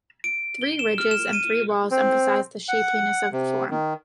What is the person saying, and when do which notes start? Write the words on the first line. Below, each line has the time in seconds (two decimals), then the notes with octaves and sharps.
Three ridges and three walls emphasize the shapeliness of the form.
0.24 D7
0.62 G7
0.79 E7
0.98 F6
1.11 E7
1.33 D#7
1.91 C4
2.68 F#5
3.33 C3
3.70 D#3